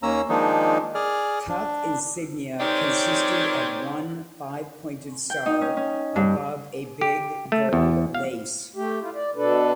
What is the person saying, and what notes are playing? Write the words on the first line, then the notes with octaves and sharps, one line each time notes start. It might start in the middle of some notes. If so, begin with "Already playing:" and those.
Cuff insignia consisted of one five-pointed star above a big gold lace.
D#2 A#3 C#4 A#5 E6
D#3 F3 G#3 A#3 D4 D#4
G#4 D5 F6
D4
D#3 G#3 C4 G4 C#5 D5
G5
D#4
C#4
C#4
G2
G4
A3
E2
F5
A3 G4
E4 F4
D5
B2 D4 A4 B4